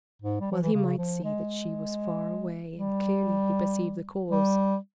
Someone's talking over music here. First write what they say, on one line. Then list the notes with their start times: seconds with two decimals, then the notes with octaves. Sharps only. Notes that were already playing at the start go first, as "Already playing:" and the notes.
Well he might see that she was far away, and clearly he perceived the cause.
0.22 G#2
0.40 G3
0.51 F3
0.62 E3
0.73 C#3
0.98 F3
1.24 G#3
2.78 G3
4.31 G3